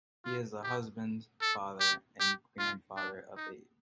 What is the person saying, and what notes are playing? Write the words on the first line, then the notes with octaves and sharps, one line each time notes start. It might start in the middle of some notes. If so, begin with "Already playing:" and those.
He is a husband, father, and grandfather of eight.
F4
G4
A4
G4
G4
F4
D4
D#4